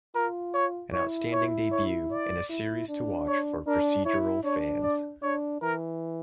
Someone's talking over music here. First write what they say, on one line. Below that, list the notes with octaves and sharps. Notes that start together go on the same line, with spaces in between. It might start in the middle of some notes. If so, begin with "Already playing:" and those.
An outstanding debut and a series to watch for procedural fans.
F4 A#4
C#5
E4 C#5
C#5
C#5
D5
E4
D4
C#5
D4 A#4
E4 C#5
D4 C#5
D5
D4 C#5
E3 A#4